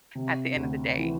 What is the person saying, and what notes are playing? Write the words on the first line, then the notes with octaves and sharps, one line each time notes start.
at the end of the day.
C3
D2
E3